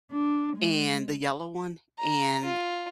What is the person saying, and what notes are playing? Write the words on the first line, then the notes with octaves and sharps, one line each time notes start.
and the yellow one, and
D4
G#3
A#5
F4